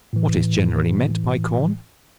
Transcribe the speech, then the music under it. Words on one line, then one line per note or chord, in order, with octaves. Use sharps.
What is generally meant by Corn?
A2 E3